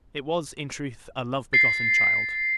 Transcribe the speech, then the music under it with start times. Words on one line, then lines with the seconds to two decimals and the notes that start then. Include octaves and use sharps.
It was, in truth, a love-begotten child!
1.53 A6 C7